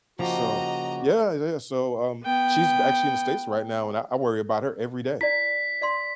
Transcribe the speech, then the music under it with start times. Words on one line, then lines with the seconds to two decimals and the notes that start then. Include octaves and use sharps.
So yeah, yeah, so, um, she's actually in the States right now, and I I worry about her every day.
0.19 C#3 F3 A#3 F#4 G4 D#5 A#5
2.24 B3 G5
5.21 E4 D5 B6
5.82 D5 F5 C6